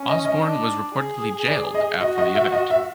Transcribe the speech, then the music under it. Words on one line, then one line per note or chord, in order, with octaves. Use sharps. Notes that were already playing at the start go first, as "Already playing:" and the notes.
Osborn was reportedly jailed after the event.
Already playing: C#4
D#5
D#5
D4
G#4
D5
D#5
F#4 D#5
D#5
E5
D#5
E5